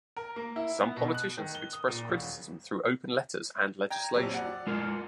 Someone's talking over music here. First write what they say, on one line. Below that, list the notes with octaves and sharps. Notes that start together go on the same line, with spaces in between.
Some politicians have expressed criticism through open letters and legislation.
A#4
A#3
E4
B3
B2
F#6
D#3
G7
D#6
A#2
E1
G5 A#5 G#6
A#1 F2 F#3
D5 F#5
G#3 F4 A#4